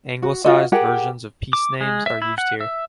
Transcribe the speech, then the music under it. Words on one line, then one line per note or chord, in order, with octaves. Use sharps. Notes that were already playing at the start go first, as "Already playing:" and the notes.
Anglicised versions of piece names are used here.
F#4
F4 F#4 D#5
G4 G#4 A#4 F#5
D6
G#3
E5
E4
F#5
E5